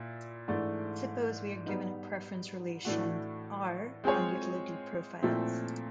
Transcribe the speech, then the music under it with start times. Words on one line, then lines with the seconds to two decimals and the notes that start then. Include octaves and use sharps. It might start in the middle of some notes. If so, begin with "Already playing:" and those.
Suppose we are given a preference relation "R" on utility profiles.
Already playing: A#2 E4
0.48 G#2 E3 A3 D4
1.66 G3 B3 D#4
2.85 A2 E3 A3 D4 F#4
4.04 G#3 C4 F4 G#4 C#5
5.23 A#2 F3 A3 C4 E4